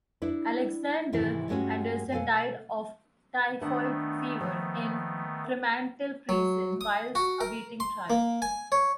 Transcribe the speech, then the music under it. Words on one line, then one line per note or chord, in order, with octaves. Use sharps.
Alexander Anderson died of typhoid fever in Fremantle Prison whilst awaiting trial.
D4 E4 B4
G#2 C3 D#3 E3 E4
G2 G#3 A3 C#4 F#4
B2 A4 F5 G#5
D#3 A3 B3 D4 F#5
F3 A#3
F#3
D#6
F#4
A#4
C6
A#3
G#5
C#5